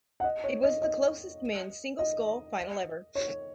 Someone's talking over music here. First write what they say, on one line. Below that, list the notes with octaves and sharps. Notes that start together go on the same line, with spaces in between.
It was the closest men's single scull final ever.
F#5
D#5
C#5
D#5
D#5
D#5
C#5